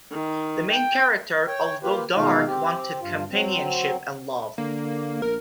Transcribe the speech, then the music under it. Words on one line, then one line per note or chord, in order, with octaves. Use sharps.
The main character, although dark, wanted companionship and love.
D#3
G5
C#5 G5
A#3 F4 G4 B4
B2 D#3 G#3 D#4 F4 F5
C4 G4
G2 F4
F#3 C4
D3 A#3
A#1 A#4